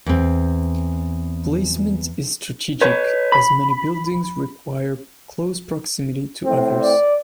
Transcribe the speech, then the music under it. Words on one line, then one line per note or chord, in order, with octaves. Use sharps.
Placement is strategic as many buildings require close proximity to others.
E2 C4
B4 C#5
B5
A2 C4
D5